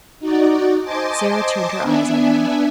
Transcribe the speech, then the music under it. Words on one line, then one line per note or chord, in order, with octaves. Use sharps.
Sara turned her eyes on him.
D#4 F#4 D5
C5 D#5 G#5 A5 C6 D6
B3 D4 E5 G#5